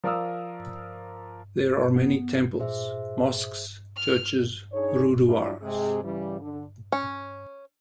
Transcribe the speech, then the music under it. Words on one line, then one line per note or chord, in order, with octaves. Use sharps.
There are many temples, mosques, churches, guruduwaras.
F3 A#4 D5 F5 D#6 E6
B3
A#2 G#4 C5 E5
F6
D4 D#4 G#4 C#5
F#3 G3 D4 E4 F4 G4
C3 G#3 G#4
C#3 E3 G3
D3
C#4